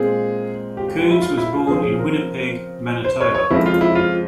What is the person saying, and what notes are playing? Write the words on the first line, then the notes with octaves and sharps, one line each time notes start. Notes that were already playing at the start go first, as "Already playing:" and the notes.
Coons was born in Winnipeg, Manitoba.
Already playing: A#2 G#3 C4 G#4
G4
G4
G4
E4
F4
E4
F4
C#3 F3 C4 G#4
G#4
A#4
C5
C#5
C#5
F2 C#3 F3 G#3 C4 E4
F4
E4
F4